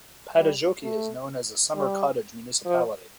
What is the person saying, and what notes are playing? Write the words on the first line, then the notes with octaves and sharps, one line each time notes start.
Padasjoki is known as a summer cottage municipality.
G3
A3
G3
F3